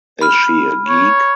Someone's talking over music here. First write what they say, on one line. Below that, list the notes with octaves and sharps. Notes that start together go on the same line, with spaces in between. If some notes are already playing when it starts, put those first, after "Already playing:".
Is she a geek?
B5 F6
C#5